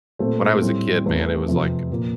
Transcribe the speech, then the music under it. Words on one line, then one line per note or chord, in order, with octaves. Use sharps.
when I was a kid, man, it was, like,
A#2 A3 C4 A4 C5
A2 G3 C4
E2 E3 A3 C4
F2 C3 F3 C4
A#2 F3 A#3